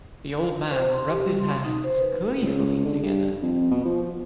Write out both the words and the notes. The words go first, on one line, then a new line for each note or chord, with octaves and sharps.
The old man rubbed his hands gleefully together.
C5
C6
G4
G3
C6
D#4
C5
B4
C#2
D3
G2
F2
B2
F3